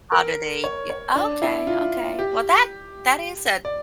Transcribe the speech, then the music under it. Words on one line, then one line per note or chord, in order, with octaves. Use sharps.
how do they ge Okay, okay, well, that that is a
A#4
C#5
C#5
D4
E4
F4
G4
D5